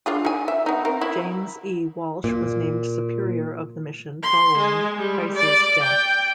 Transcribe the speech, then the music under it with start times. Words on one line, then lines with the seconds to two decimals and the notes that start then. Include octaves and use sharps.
James E Walsh was named Superior of the mission following Price's death.
0.06 D4 F4 G#4
0.25 D#4 G#5
0.48 E5
0.66 B3 D#4
0.85 C4 A#4
1.01 E4
2.24 A#2
4.23 C6
4.58 G#3
4.97 G3
5.35 D5
5.83 G5